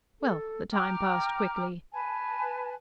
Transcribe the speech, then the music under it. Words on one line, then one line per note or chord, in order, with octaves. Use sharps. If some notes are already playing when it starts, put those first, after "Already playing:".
Well, the time passed quickly.
A4
G5 A#5 D6 F6
B4 G#5 A5